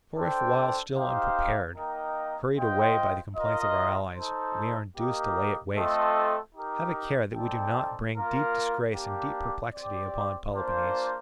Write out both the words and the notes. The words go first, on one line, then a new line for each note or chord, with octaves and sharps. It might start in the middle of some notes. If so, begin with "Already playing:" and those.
For if while still unprepared, hurried away by the complaints of our allies, we are induced to lay it waste, have a care that we do not bring deep disgrace and deep perplexity upon Peloponnese.
D4 A4 C5 G5
D#4 G4 C5 F5
A#3 D#4 A#4 D#5 G5
F4 C5 D#5 G5
F4 A#4 D#5
D#4 A4 C5
A#3 D#4 G4 A#4 D#5
A3 C4 F4 A4 D#5
D#4 G4 A#4
C4 D#4 A4 D5 G5
A#3 F4 A#4
A#3 D4 G4
C4 G4 D5
A#3 D4 F4 C5